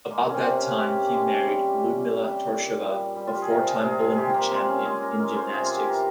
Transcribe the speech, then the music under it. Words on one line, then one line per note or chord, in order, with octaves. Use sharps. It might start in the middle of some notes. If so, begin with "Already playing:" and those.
About that time, he married Ludmilla Tourischeva, a four-time Olympic champion in gymnastics.
G#3 A#3
C#4
C4
C3
C#4
G#3 G4
G#3
G3
G3
G3
A#2
G3
G3
F4
G4
G#4
C3 A#4
G#4
C3 G#4
G#4
G#3 G4
A#3 C4
G#3 C4
C#4
G#3 G#4
A#4
G#3 A#4
C5
C3 G#4
F4
G4
E3 A#4